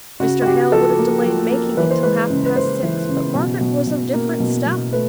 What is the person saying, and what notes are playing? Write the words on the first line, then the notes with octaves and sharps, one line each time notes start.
Mr. Hale would have delayed making it till half-past six, but Margaret was of different stuff.
C#3 F#4
F#4
C#3 G4
F3 A4
A#3
F3
A#3
E3 B4
C5
G#3 B4
C#3
B4
C#3 C5
E3
C#3
B2
B2
B2
A#3
B2
B2
A3 B4